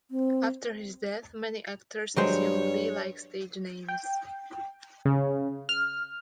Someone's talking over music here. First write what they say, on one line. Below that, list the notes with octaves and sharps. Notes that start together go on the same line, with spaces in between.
After his death, many actors assumed Lee-like stage names.
C4
G2 F#3 G#3 C5 C#5
G5
C#3
F6